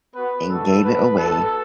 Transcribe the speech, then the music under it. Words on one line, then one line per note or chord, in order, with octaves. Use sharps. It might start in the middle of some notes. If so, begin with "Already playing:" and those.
and gave it away
B3 F#4 B4
A3 D4 F#4 A4
B3 F#4 B4
A3 D4 F#4 A4